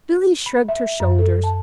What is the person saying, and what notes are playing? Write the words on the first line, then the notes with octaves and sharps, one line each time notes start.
Billy shrugged her shoulders.
B5
E5
F#2
A4
A5